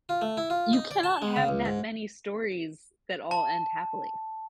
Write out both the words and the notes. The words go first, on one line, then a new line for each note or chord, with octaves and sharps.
you cannot have that many stories that all end happily.
F4
A3
E4
F4
D#4
D5
A5
G#3
C#3
C#2
G#2
A5